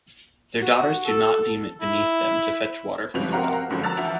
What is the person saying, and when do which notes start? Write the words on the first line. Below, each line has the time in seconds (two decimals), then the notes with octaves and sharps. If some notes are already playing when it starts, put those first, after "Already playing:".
Their daughters do not deem it beneath them to fetch water from the well.
0.61 F#4
1.05 A4
1.81 E4
3.14 G1 C#2 C3 F3 B4 F7
3.32 C4 A#4 C5 F5 F#5 A#5
3.70 F#1 C#2 D3 F3
3.83 A5 A#5 E6 F#6 A6 F7
3.97 E3 F3 E4 F#5 F7